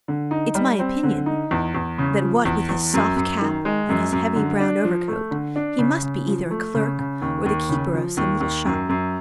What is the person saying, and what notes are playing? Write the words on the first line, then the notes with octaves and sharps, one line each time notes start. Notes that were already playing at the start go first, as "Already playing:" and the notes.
"It's my opinion, that what with his soft cap and his heavy brown overcoat, he must be either a clerk or the keeper of some little shop."
D3
D#4
G3
C4
D3
D#4
E2
E2
C#3
F3
E2
E2
F#2
F#2
D#3
G#3
F#2
F#2
D3
D4
F3
A3
D3
D4
C#3
C#3
F3
A3
C#3
C#3
D#2
D#2
C#3
F3
D#2
D#2
F#2
F#2